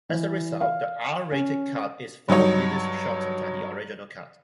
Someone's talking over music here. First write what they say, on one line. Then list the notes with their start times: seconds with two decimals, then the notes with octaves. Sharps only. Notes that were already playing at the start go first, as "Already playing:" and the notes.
As a result, the R-rated cut is four minutes shorter than the original cut.
0.09 E3
0.61 F5
1.32 C#4
2.28 G2 F#3 D#4 C#5